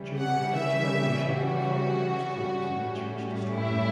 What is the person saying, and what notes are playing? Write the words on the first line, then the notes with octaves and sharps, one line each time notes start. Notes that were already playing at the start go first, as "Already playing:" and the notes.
During the French Revolution the convent was closed and the church destroyed.
Already playing: C#3 E3 G3 C#4
F#5
E5
F#4
A2 G3 C#4
E4